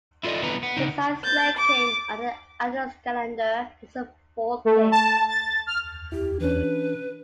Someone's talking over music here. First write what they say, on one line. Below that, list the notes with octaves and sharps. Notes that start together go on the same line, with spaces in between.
His highest ranking on the Adelskalender was a fourth place.
E4 F4 A4 D5 D#5
C2 E3 B3 D4 B4 A#5
B3
C#3 D4 D#4
G6 A6
D6
A3
A5
A6
F6
E4 G4
E3 C#4 D4 B4